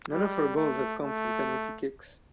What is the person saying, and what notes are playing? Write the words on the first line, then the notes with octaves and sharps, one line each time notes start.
None of her goals have come from penalty kicks.
G3
A3
A3